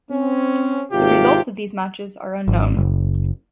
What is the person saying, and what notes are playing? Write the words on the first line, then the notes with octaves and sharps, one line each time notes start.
The results of these matches are unknown.
C4 C#4
G#1 C3 F4 G4
G#1
F#1